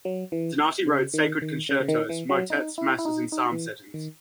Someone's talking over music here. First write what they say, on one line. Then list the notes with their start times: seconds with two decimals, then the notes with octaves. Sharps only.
Donati wrote "sacred concertos", motets, masses and psalm settings.
0.05 F#3
0.32 E3
0.87 C#3
1.14 D#3
1.42 D#3
1.69 C#3
1.80 C#3
1.88 D#3
2.09 E3
2.30 F#3
2.50 D#4
2.78 E4
2.99 E4
3.05 D#4
3.32 D#4
3.52 E3
3.94 D#3